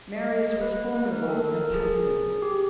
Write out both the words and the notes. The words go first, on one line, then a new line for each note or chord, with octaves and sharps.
Marius was formidable and pensive.
D#5
D#5
B4
B4
A#4
A4
A#4
G#4
G#4
G4